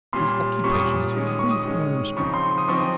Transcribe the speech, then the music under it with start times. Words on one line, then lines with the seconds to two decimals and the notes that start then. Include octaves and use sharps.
His occupation is free from all restraint.
0.13 A#2 G3 C#4 C6
0.64 A#2 G3 C#4 C#6
0.72 D#6
0.80 C#6
1.15 D#3 G#3 C#4
1.27 D#6
1.39 C#6
1.51 D#6
1.65 D#3 G#3 C#4
2.17 C#3 F3 C4 D#4 C#6
2.34 C6
2.58 D#6
2.68 C#3 F3 C4 D#4 C#6
2.80 D#6